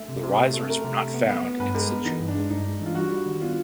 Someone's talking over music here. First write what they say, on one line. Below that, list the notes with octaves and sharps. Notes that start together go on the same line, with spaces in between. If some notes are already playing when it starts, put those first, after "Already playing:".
The risers were not found in-situ.
Already playing: A3 E5
C3
C3
A3
A3
A3 A#4
C3
A3
B3
B3
B3
G2 B4
G#3 A#4
B3
E3 D#4
G2
D4
G#3
G2 D#4
G#3
E3 F4
G3 F#4
G3
D#3
B3 F4